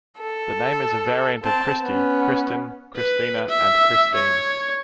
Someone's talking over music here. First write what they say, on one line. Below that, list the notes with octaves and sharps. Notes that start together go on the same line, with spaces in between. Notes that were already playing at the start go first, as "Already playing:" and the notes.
The name is a variant of Kristi, Kristin, Kristina, and Kristine.
A4
C4 A5
B3 C#4
B4
E5
C#5